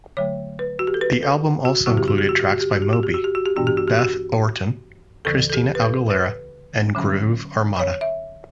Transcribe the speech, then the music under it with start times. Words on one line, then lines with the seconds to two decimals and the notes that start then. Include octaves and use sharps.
The album also included tracks by Moby, Beth Orton, Christina Aguilera, and Groove Armada.
0.17 D3 F#3 A3 C#5
0.59 B4
0.79 F#4
0.87 G4
0.94 A4
1.01 B4
1.23 A4
1.65 F#4
1.86 F#2 C#3 F#3 B3 E4 F#4
1.97 G4
2.08 F#4
2.18 G4
2.29 F#4
2.40 G4
2.50 F#4
2.61 G4
2.71 F#4
2.82 G4
2.93 F#4
3.03 G4
3.14 F#4
3.24 G4
3.35 F#4
3.45 G4
3.56 G2 E3 B3 D4 F#4
3.67 G4
3.77 F#4
3.88 G4
3.99 F#4
5.25 D2 C#3 E3 A4
5.50 A4
5.54 G4
5.75 B4
5.82 A4
6.10 B4
6.95 D3 F#3 C#4
7.79 C#5
8.01 E5